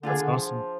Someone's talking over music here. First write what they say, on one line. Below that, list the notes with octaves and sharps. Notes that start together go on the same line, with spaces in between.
That's awesome.
D3 D4 F4 G#4
D3
F3